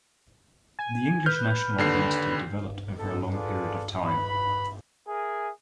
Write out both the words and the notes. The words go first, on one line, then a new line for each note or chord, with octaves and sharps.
The English national identity developed over a long period of time.
G#5
B4 F6 G6
D#2 D3 C7
B3 D#4 A4
F4 G#4 A4 B4 D5
B4 B5
G#4 A#4 E5 G#5